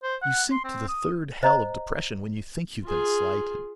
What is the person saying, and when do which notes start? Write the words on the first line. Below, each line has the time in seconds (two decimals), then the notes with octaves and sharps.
You sink to the third hell of depression when you think you've been slighted.
0.03 C5
0.22 F#5
0.52 C6
0.64 C4
0.88 D#6
1.43 C5 D#5 A#5
2.85 F4 G#4